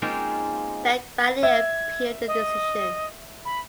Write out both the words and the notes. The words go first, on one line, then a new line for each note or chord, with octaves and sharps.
Bank Bali appealed the decision.
G#3 A#3 C4 C#4 D#4 F4
E5 G#6
D#5
B5